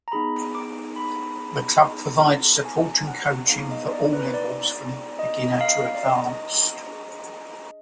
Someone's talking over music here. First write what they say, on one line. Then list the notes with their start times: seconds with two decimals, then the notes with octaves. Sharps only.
The club provides support and coaching for all levels from beginner to advanced.
0.08 A#5
0.12 B3 D#4 G#4 B5
0.55 D6
0.96 B5
2.65 G#5
3.08 F#5
3.49 B3 D#4 G#4 F5
3.71 D#5
3.92 D5
4.13 B4
4.34 D5
5.19 D#5
5.53 D#5
5.61 F5
5.95 D5
6.03 D#5
6.88 D4 G#4